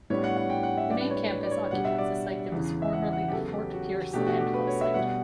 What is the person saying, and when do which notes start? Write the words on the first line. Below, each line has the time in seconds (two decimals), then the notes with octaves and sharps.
The main campus occupies a site that was formerly the Fort Pierce landfill site.
0.10 A2 G3 B3 D4 C#5
0.24 F#5
0.36 F#5
0.50 G5
0.63 F#5
0.77 E5
0.90 A2 G3 D4 D5
1.01 B4
1.10 C#5
1.31 B4
1.43 D5
1.51 C#5
1.71 B2 G3 D4 F#5
1.85 E5
1.98 D5
2.52 E2 C#3 E3
2.82 E5
2.93 F#5
3.13 F#5
3.28 G4
3.33 E2 C#3 F#3 B3 A4
3.53 G4
3.74 F#4
4.13 B2 A3 D4 G4
4.27 F#4
4.40 G4
4.54 B4
4.67 C#5
4.81 E5
4.94 B2 G3 B3 F#5